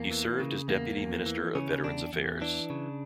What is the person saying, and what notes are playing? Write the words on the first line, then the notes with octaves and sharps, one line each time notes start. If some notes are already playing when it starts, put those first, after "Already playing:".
He served as Deputy Minister of Veterans' Affairs.
Already playing: E2 A#3
E3
C#3
E2 A#3
E2
E3
C#3 C#4
E2 D4
E2
E3 D4
C#3